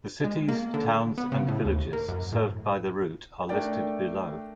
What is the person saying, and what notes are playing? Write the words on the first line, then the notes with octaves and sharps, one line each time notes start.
The cities, towns and villages served by the route are listed below.
G#3
A#3
D3
B3
C#3
A2
D#2
A#3
F#2
A2
A3 D4 A#4 D5 G5